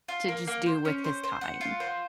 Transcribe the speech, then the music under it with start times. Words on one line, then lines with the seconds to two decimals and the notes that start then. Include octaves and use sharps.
to just do with his time.
0.08 F4
0.28 A#3
0.47 A#3
0.66 C5
0.85 C#4
1.04 C5
1.23 C5
1.41 F#5
1.61 F4
1.80 C5